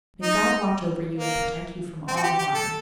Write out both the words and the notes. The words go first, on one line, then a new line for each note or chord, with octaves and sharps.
May God watch over you and protect you from all harm.
D#4
A#3
C4
F#4
G4
G4
A4